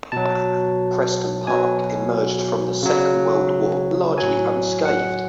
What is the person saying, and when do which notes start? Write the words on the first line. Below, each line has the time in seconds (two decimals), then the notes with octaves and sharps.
Prenton Park emerged from the Second World War largely unscathed.
0.12 B2 F#3 A5
1.47 B2 F#3 G#5
2.82 C#3 F#3
4.17 A2 F#3 G#5
4.85 F#5